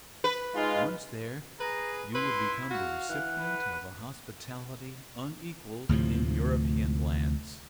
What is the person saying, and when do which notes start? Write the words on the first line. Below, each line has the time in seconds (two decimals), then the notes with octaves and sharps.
Once there, you would become the recipient of a hospitality, unequalled in European lands.
0.24 B4
0.54 G#3 D#4 F4
1.60 G#4 B4 A#5
2.15 E4 B4 C6
2.70 F#4 F5
3.09 E3 F#5
3.39 B4
5.89 D2 A2 C3 F3